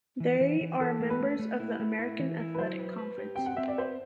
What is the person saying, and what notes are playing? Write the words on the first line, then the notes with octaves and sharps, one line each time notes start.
They are members of the American Athletic Conference.
E3
E3
E3
E3 A4
A3
B4
A3
A3
E4
A3
E4
E3
E4
B4
F#3 C5
B4
B4
G4
C4 G5
F#5
C4 E5
D5
B4 C5